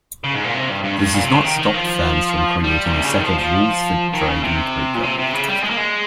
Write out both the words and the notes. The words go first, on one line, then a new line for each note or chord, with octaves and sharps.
This has not stopped fans from creating a set of "Rules For Dragon Poker".
C#3
G#2
A#2
C3
G2
G2
G2
A#2
C3
C#3
D#3
D#3
F3
G3
A#2
C3
C#3
D#3
F3
F3
D#3
C#3
C3
A#2
C3
C3
C#3
G3
G#3
A#3
G#3